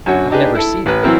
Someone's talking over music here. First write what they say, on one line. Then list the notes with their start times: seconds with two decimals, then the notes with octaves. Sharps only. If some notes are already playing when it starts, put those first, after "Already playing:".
I've never seen it.
0.06 F#2 D3 F#4 C#5
0.30 D4 D#4 G4 G#4 B4
0.55 E4 A4
0.86 A1 B4
1.03 E3 F#3 C4 E4 A#4